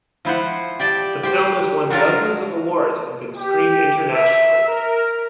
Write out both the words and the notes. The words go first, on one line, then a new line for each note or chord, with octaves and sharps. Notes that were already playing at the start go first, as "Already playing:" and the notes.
The film has won dozens of awards and been screened internationally.
F3 E4 C5 F#5
G4 D5 G5 A5
G4 C5
F#3 D4 F4 A#4
G4
E5
A#4